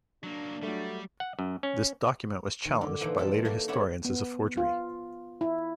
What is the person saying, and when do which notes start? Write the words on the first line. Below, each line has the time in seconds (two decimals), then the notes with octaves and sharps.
This document was challenged by later historians as a forgery.
0.23 F#3 A#3 D4
0.63 F#3 G3 A3
1.20 F#5
1.39 F#2
1.63 C#4
2.65 D#3
2.81 D3
3.00 A#2 E3 F3 D#4 C5
3.18 G3 A4 A5
3.45 A3 A#3
3.68 A3 B3 D4 E4 C#5
4.05 B3
4.57 F4
5.41 E4